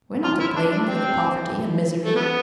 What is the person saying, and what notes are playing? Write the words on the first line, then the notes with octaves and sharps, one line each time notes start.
We're not to blame for the poverty and misery.
F4
E4
D4
D4
C4
A3
B3